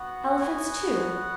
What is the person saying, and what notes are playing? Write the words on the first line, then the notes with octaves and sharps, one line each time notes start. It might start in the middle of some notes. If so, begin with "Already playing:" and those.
Elephants, too!
Already playing: B3 F#4 F#5
G#5
F#5